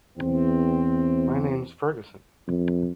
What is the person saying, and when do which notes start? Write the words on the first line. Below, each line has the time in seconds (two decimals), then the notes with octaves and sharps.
My name's Ferguson.
0.18 E2 C4
2.47 F2